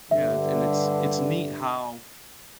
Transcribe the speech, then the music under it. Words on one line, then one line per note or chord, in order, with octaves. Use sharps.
Yeah, and it's it's neat how
G2 D3 E5